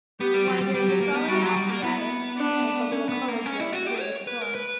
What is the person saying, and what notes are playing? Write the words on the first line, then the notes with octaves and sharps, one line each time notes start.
"Why, here is Estralla now," he added, as the little colored girl appeared at the door.
B3 G4
G3
F#3
G3
G3 G4
F#3
A#3
B3
G3 F#4
F#3
G3
A#3
B3 E4
D4
C#4
B3
A#3
C#4
E4
F#4
G4
C#5
B4
A#4
B4